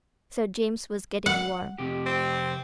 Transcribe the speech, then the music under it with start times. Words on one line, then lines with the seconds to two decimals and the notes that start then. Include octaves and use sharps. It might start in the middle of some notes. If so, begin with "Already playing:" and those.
Sir James was getting warm.
1.26 F#5
1.78 F2 C3 G4
2.06 C4